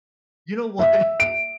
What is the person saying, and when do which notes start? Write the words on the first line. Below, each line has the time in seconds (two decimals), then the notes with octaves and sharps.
You know what?
0.79 E5
1.20 D7